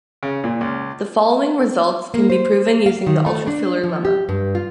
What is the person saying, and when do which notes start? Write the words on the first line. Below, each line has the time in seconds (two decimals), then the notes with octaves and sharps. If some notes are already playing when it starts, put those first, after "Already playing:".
The following results can be proven using the ultrafilter lemma.
0.23 C#3
0.44 A#2
0.61 C#2
2.14 A#3
2.30 C5
2.86 F5
3.07 D#3
3.26 A3
3.47 D4
3.84 F3
4.05 G4
4.29 G2
4.55 F4